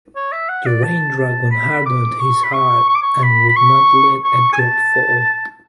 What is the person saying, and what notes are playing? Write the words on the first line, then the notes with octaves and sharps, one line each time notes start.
The rain-dragon hardened his hart and would not let a drop fall.
C#5
E5
F#5
D5
A5
A5
B5
D6
C#6
B5
C#6
C#6
D6
C#6
B5
B5
C#6
C#6
G#5
A5